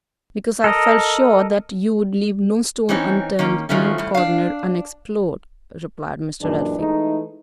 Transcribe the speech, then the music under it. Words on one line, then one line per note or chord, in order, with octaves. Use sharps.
"Because I felt sure that you would leave no stone unturned, no corner unexplored," replied Mr. Elphick.
A4 A#4 D#5
E3 C4 C#4 D#4
D#3 A#3 C#4
D#3 F3 F#3 A3 C#4
A2 G3
D4 F5
F#2 A#2 E3 G#3 D4
E3 G#3 A3 D#4